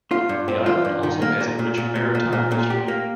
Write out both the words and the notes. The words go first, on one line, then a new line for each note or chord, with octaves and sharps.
The island also has a rich maritime history.
F4
G2
C4
F4
G2
D#3
A#3
A#2
A#2
A#2
A#2
A#2
A#2
A#2
G4
A#3